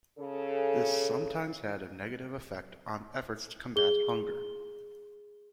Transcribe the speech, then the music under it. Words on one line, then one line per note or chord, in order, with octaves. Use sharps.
This sometimes had a negative effect on efforts to combat hunger.
C#3 A4
G#4 G7